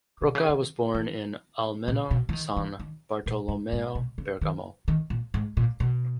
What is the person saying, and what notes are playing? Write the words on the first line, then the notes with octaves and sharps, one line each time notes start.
Rocca was born in Almenno San Bartolomeo, Bergamo.
B2
C#3
D#3
E3
A#2
B2
E3
D#3
E3
D#3
A#2
G#2
G#2
B2
C#3
D#3
D#3
A#2
G#2
A#2
B2